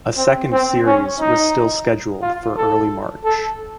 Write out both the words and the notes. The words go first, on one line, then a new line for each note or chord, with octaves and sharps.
A second series was still scheduled for early March.
C4
C4
C#4
D#4
F4
A4
A4